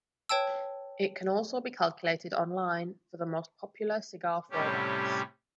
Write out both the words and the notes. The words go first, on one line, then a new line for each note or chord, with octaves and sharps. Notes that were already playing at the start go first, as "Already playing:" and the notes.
It can also be calculated online for the most popular cigar formats.
B4 C#5 G5 A5 E6
A2 C3 G3 C#4 G4